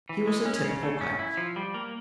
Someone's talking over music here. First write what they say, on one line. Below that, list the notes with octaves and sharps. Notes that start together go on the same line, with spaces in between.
He was a typical pirate.
E3
G#3
C#4
C#3
A3
C#4
E4
F3
G3
A#3